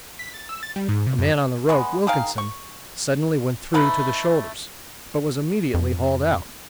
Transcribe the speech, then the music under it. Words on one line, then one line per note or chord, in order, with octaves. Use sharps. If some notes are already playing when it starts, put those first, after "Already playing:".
A man on the rope, Wilkinson, suddenly went through to the shoulders, but was immediately hauled out.
B6
A6
E6
A6
G3
G#2
C3
F#2
G#3 B3
D#3 G#4 A#4 F5
C#6
A3 D#4 B4
F2